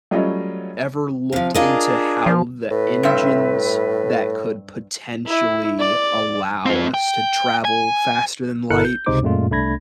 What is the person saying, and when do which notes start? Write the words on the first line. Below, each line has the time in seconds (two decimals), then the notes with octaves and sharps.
ever looked into how the engines that could potentially allow us to travel faster than light
0.11 F#3 G3 A3 C#4 F4 D#5
1.33 C3 F3 F5
1.54 D4 F4 G#4 A#4 D#5
2.26 F3
2.70 A2 B4
3.03 G2 C4 E5
5.26 E4
5.79 D5
6.66 C4 F4
6.94 G5
7.65 G#5
8.70 G1 E4 A4 A#4 F#6 C#7
8.85 G6
9.06 C#2 C3 G#3 D#4 C5 D6
9.22 F#2 A#2 G#3 A3 F4
9.51 C2 A3 D4 B5 G#6 A#6